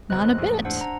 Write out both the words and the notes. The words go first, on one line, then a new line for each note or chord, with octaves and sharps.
'Not a bit.
F#1 B1 E2 C5 D#5 F#6
E2 G#2 A3 G#4
D4 C5 F#5
A#5